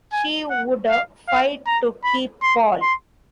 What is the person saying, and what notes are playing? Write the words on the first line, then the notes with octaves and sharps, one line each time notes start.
She would fight to keep Paul.
G#5
F#5
F5
F5
A#5
B5
C6
C6